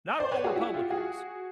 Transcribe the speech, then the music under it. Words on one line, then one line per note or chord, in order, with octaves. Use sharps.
not all Republicans,
C5 D5
B4 C#5
F#4 G#4
E4 F#4
F4 G4
F#4 G#4